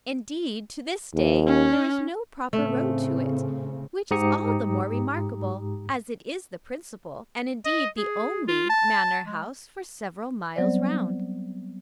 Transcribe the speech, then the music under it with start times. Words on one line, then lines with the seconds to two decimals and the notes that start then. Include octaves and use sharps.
Indeed to this day there is no proper road to it, which is all the more remarkable as it is the principal, and indeed the only, manor house for several miles round.
1.14 D#2
1.46 C#4
2.53 A2 C#3 A3 C4
4.11 G#2 G4 A#5 D#6 C#7
7.66 D#5
7.98 G#4
8.48 F4
8.70 A5
9.27 G#3
10.56 F#3 G3 B3 C4 C5 D5